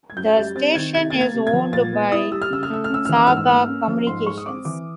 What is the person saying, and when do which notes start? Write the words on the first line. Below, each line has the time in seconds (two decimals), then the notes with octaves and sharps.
The station is owned by Saga Communications.
0.10 G#6
0.17 F#2 G6
0.36 G3 A6
0.55 C4 A6
0.75 D#3 G#6
0.95 C3 G#6
1.10 A#3 A6
1.21 G#6
1.34 C3
1.47 G#6
1.53 F3
1.73 A#2 A6
1.92 B3
2.12 E4 D#6
2.32 G3 E6
2.42 F6
2.50 C#3 E6
2.63 F6
2.70 A3 E6
2.84 F6
2.90 C#4 E6
3.05 E3 F6
3.16 E6
3.27 G#2 F6
3.37 E6
3.49 A#3
3.68 C#4
3.88 F3
4.07 G#2 C6
4.26 G#3 C#6
4.38 D#6
4.46 C4 D6
4.65 E3 D6